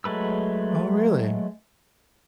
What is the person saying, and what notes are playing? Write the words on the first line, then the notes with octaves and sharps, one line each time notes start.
Oh, really?
F#3 G#3 A3 B4 E6